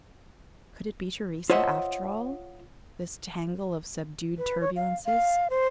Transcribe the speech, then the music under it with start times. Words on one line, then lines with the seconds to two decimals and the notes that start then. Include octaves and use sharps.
Could it be Theresa, after all, this tangle of subdued turbulences?
1.50 F4 C5 C#5 D#5 E5 F#5
4.38 B4
4.61 C#5
4.76 F5
5.06 F5
5.50 C5